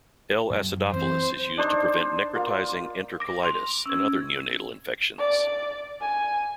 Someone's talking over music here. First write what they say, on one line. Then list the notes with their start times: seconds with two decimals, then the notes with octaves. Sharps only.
"L. acidophilus" is used to prevent necrotizing entercolitis and other neonatal infections.
0.50 F#2
0.93 E3 C4 C5
1.57 D4 D#4 C5 D5
2.35 A#3 F4
3.20 D6 A#6 D7
3.43 C6 F7
3.86 C#4 E6 G#6
5.19 D5
6.02 G#5